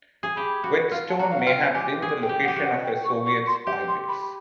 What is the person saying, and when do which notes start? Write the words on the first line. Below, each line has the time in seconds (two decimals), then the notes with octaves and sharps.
Whetstone may have been the location of a Soviet spy base.
0.23 G#4
0.36 G4 B5
0.64 F#4
0.92 F4
1.09 A5
1.19 F#4 A#5
1.30 F5
1.39 F#5
1.46 F4 G5
1.74 G4 G#5
2.02 G#4
2.22 G5
2.29 G4
2.43 F#5
2.48 G4
2.56 F#4
2.63 F#5
2.84 G5
3.05 C#6
3.26 C#6
3.47 C6
3.67 G4
3.88 C6
4.08 B5